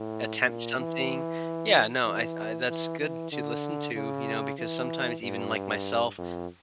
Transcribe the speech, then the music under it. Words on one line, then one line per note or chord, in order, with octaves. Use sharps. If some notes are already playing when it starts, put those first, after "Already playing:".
attempt something. Yeah. No. I th I that's good to listen to, you know, because sometimes even like myself,
Already playing: A2
A#2
E3
E3
E3
E3
D3
C#3
E3
G2
F2